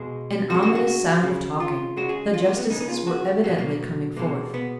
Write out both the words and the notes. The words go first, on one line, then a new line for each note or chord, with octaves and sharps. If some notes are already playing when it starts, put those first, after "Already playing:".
An ominous sound of talking; the justices were evidently coming forth.
Already playing: B2 G#3
C#3 G#3 F#4
F#4
F#4
C#3 G#3
F4
C#3 G#3 F#4
G#4
F4
A#3
B3
C#3 G#3 D#4
D#4
F4
F#4
B2 F#3 A#3 B3
A#3
B2 G#3 A#3
B3